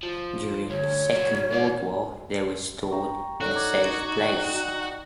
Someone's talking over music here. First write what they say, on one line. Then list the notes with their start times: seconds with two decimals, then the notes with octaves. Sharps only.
During the Second World War, they were stored in a safe place.
0.03 F3
0.70 D2 C#5
1.13 C#3 F#3
1.52 E3 D5
2.92 G5 A#5 C#6
3.41 D#4 F#4 A4 C#5 D5
3.55 A#5 D6 G#6
4.21 D5 G5